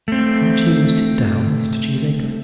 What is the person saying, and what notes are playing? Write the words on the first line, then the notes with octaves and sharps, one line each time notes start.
"Won't you sit down, Mr. Cheesacre?"
A3 C4